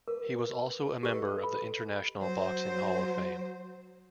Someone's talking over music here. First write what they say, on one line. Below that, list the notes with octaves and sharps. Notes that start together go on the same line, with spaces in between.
He was also a member of the International Boxing Hall of Fame.
A#4 B4
G4 A4 B4 D#5
B5
F#3 C5